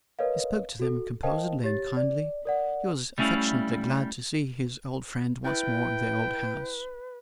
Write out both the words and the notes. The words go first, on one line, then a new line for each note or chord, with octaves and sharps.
He spoke to them composedly and kindly; he was affectionately glad to see his old friend once more in the old house.
A#4 B4 C#5 D#5 F5
F#4 A4
A#4 C5 D#5 F5 G5 A5
G4 C#5 A6
D5
A#4 D5 F#5
G3 A3 C#4 E4 F5
E4 B4 E5 G5